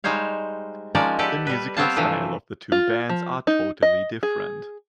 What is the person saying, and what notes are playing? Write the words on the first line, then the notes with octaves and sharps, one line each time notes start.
The musical style of the two bands are totally different.
G3 G#3 D#4 C5 C#5 F5
F3 G#3 C#4 D#4 A#4 D5
G4 A4 B4 D5 F#5
G3 B4
B3 C4 C5 C#5 F5 A5
C3 E3 F3 A3 D4
F4
F3
D#4
D#5
G#4